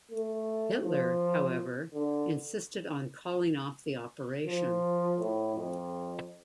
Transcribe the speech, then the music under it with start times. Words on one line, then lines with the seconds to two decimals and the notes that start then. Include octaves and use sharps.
Hitler, however, insisted on calling off the operation.
0.12 A3
0.84 F3
1.93 D3
4.47 F3
5.19 A2
5.55 F2